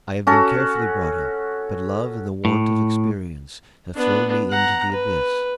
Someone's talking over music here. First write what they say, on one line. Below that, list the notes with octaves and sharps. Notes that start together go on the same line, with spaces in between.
I have been carefully brought up, but love and the want of experience have thrown me into the abyss.
C#4 F#4 A4
A2
B3 D4
F#5 A#5
B4